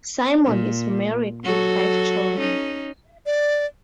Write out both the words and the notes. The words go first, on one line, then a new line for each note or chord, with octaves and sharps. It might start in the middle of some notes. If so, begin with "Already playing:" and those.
Simon is married with five children.
A#2
F#3 F#4 A4
C#4 D#4
D5